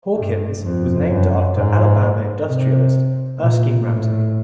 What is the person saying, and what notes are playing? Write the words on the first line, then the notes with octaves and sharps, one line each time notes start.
Hawkins was named after Alabama industrialist Erskine Ramsay.
G2
F2
F#2
G#2
C3
A#2
A2